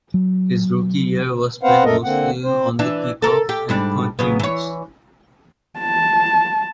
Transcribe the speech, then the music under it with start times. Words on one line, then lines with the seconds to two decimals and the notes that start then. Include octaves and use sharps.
His rookie year was spent mostly on the kickoff and punt units.
0.14 F#3
1.63 B3 C4 B4 C5 F5 F#5
1.84 F#2 A3 A4 A#4 D#5
2.04 D3 A#3 C4 F#5
2.44 C4 C5
2.79 E3 D4
3.22 A4 A#4
3.49 G4
3.69 G#2 G3 D4
4.19 C#3 F#3 B3
4.40 E3 C#5
5.79 A5